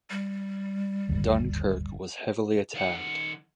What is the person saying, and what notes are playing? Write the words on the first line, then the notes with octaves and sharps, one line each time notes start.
Dunkirk was heavily attacked.
G3
D1 G1 D#2
D#3 F#5